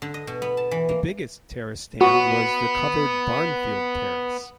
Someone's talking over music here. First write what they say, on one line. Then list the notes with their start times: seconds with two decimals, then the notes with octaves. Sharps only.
The biggest terrace stand was the covered Barnfield Terrace.
0.02 D3
0.14 D#5
0.27 B2
0.42 B3
0.57 A5
0.71 E3
0.89 A#3
2.01 B3 F#4